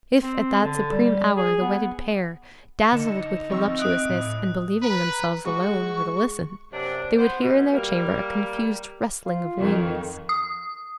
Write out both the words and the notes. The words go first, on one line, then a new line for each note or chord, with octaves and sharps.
If at that supreme hour, the wedded pair, dazzled with voluptuousness and believing themselves alone, were to listen, they would hear in their chamber a confused rustling of wings.
C4
D3
G3
G#4
B3
D3 D#4 C#7 E7
F3 C4 C#6 E6
E5 D#6 F#6 D7
A2
B4 A#5
G#3 F#4 C#6
F#2 C3 D4
B3 C5
B2
G3 A#3
F4
F2 D#3
D#6